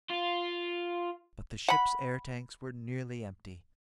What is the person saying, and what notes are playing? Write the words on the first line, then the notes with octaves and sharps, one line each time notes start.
But the ship's air tanks were nearly empty.
F4
F#5 B5